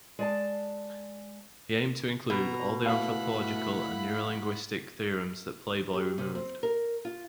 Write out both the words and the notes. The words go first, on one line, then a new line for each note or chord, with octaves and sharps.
He aimed to include all the anthropological and neurolinguistic theorems that "Playboy" removed.
G#3 D5 A5
B2 A#5
A3 E4 F5 F#5 B5
G4
C3
C4
A#4
F4